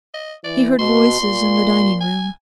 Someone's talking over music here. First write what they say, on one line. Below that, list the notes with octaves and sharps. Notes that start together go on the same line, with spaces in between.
He heard voices in the dining-room.
D#5
E3 D5
B2 C6
A#2
G#5